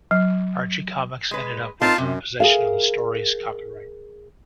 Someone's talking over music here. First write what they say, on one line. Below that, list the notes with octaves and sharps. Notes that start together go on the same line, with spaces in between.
Archie Comics ended up with possession of the story's copyright.
F#3
G#3 B4
C4 D#4 F4 A#4 F5 A5
F#2 C3
G#4 A#4 F5